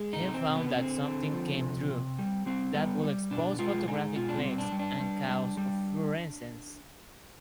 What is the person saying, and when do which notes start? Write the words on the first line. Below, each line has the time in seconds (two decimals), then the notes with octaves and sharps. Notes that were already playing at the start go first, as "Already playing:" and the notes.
He found that something came through, that would expose photographic plates and cause fluorescence.
Already playing: G#3
0.13 D#4
0.21 C3
0.34 C4
0.48 C3
0.56 B3
0.77 D3 C4
1.05 D3
1.33 F3
1.61 C3
1.90 C3
2.18 G3
2.46 G3 C4
2.75 G3 B3
3.04 G3
3.31 B2 D4
3.59 G#3 F4
3.87 G#3 D#4
4.16 B2 F4
4.29 D4
4.37 C4
4.45 G3
4.58 D4
4.72 G3
4.79 D4
5.00 G3
5.29 G3
5.57 G3